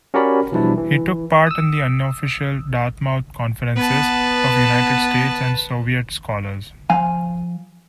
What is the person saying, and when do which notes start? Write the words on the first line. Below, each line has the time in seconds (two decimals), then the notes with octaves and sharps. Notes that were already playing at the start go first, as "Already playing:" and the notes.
He took part in the unofficial Dartmouth Conferences of United States and Soviet scholars.
0.14 C#4 F#4 G4 A#4 D5 B5
0.52 B2 E3 F3 G3 D4 E4
0.78 E3
1.47 D#6 E6
3.76 B3 B4 A5
6.90 F3 F5 G#5